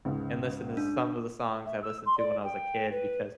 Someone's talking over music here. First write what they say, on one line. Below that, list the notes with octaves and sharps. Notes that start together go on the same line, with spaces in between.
and listen to some of the songs I listened to when I was a kid because
C#2 G#2 C#3
D4
E5
E6
C6
D5
G5
B4